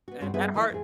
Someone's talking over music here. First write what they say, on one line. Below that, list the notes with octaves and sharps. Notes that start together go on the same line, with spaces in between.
And that hard
B3 F#4
G2 C4 F#4 F#5
G2 G3 B3 C4 G#4 E5
D#3 F3 A#3 C#4 E4 F4
F2 A2 G#4